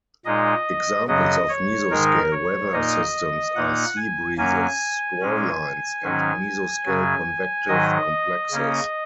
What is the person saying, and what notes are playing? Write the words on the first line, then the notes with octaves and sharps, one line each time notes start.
Examples of mesoscale weather systems are sea breezes, squall lines, and mesoscale convective complexes.
A#2 G#3 D#4 D#5
F#2 C#3 F#3 D#5
C#5
G#2 D#3 G#3 D#4 A#4
C#5
A#2 A#3 D#4 D#5
A#2 A#3 D#4 F#5
G#5
F#2 F#3 A#3 C#4 G#5
A#2 G#3 C#4
G#2 D#3 F#3 C#4
F#2 C#3 F#3
G#2 D#3 F#3 D#5
C#3 A#3 C#4